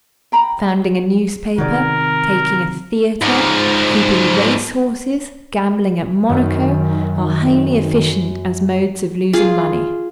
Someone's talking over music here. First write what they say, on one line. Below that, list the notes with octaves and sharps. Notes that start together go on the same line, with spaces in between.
Founding a newspaper, taking a theater, keeping race-horses, gambling at Monaco, are highly efficient as modes of losing money.
G5 A#5 B5
C3 D#3 F#4 G#4 A#4 D5
G#2 F3
F#2 D#3
F4 G#4